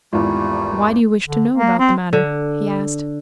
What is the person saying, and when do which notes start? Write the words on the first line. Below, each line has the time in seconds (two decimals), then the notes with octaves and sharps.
"Why do you wish to know about the matter?" he asked.
0.13 G#1 E2 G3 A3 F4
1.28 D3
1.54 A#3
1.79 C4
2.13 D3